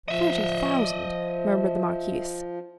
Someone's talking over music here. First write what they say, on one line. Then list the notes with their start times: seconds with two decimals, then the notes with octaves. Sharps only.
"Thirty thousand," murmured the marquise.
0.08 F3 D#5 E5